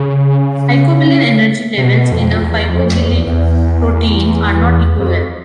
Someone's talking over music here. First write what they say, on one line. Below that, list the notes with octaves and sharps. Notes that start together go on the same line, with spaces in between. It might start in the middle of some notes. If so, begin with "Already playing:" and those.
Phycobilin energy levels in a phycobiliprotein are not equivalent.
Already playing: C#3
C3
B2
F2
E2
F2
E2
F2
E2
E2
F2